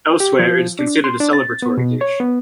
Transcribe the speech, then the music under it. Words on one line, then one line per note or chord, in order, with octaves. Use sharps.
Elsewhere, it is considered a celebratory dish.
G4
F3
D4
C6
D4
A6
B3
B2
C#5
B3